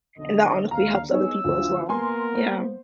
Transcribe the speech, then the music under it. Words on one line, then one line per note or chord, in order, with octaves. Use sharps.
And that honestly helps other people, as well. Yeah.
B1 F2 D3 D#5
D#2 D3 F5 A#5
B3 D#4 G#4 C#5 E6
F#1 D2 F3 F4
A#3 B3 A#4 G#5 C6
C5